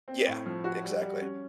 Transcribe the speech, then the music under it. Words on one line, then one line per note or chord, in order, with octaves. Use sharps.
Yeah. Exactly.
C4
A2
F3
F#4
G3
G3
C#4